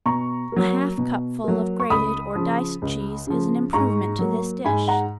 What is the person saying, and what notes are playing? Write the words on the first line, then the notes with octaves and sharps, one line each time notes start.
A half cupful of grated or diced cheese is an improvement to this dish.
B2 A#5 C#6
F#3 A#3
B2
F#3 A#3
C#6
C#2 B5 D#6
C#3 F3
C#2
C#3 F3
G#2 A#5 C#6
F#3 A#3
G#2 G#5 B5
F#5 A#5